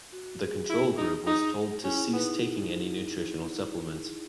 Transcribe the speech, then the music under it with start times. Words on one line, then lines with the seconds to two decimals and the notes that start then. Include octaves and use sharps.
The control group was told to cease taking any nutritional supplements.
0.12 F#4
0.41 G#4
0.69 E4
0.98 D#4
1.27 D#4
1.84 C#4 E4
2.14 B3 D#4